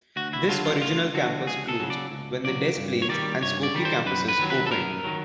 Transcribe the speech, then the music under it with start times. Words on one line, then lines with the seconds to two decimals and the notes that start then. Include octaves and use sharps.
This original campus closed when the Des Plaines and Skokie campuses opened.
0.16 D2 F#4
0.33 E4
0.49 D3 F#3 F4
0.65 F4
0.81 D2 F4
1.14 D3 F#3 F#4
1.46 C#2 G#4
1.69 A4
1.80 C#3 F#3
1.90 D5
2.12 C#2
2.44 C#3 F#3 D5
2.77 G2
3.02 C#5
3.09 D#3 G3 D5
3.42 G2 C#5
3.63 D5
3.75 D#3 G3
3.85 C5
4.06 F#2 B4
4.28 B4
4.39 D#3 F#3
4.50 B4
4.67 A4
4.71 F#2 A#4
5.04 D#3 F#3